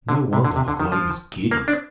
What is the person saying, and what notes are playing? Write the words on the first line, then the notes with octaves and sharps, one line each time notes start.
No wonder the globe is giddy!
D3
C3
D3
C3
D3
D#3
F3
A#3
D4